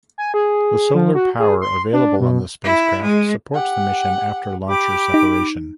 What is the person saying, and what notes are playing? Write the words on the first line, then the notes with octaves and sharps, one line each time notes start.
The solar power available on the spacecraft supports the mission after launcher separation.
G#5
G#4
F3
F#4
G#4
C6
D4
B2
E4
G#3
G4 F#5
G4 B5 D6
D#4